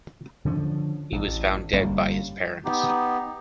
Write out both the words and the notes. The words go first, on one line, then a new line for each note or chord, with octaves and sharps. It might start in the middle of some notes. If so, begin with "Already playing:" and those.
He was found dead by his parents.
D3 F3 C#4
A1
G1 G3 A#3 C#4
B3 D#4 G4